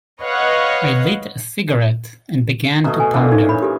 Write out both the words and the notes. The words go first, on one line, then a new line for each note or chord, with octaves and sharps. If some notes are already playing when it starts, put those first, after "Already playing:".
I lit a cigarette and began to ponder.
B4 C#5 D#5 F5 F#5
B2 A3 G#4 A#5
G#5
A#2 D3 E3
C#4 D#4
C#5 B5
G4 A4